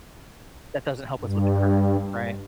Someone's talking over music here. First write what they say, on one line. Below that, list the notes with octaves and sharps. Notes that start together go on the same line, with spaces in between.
that doesn't help us with the current, right?
G2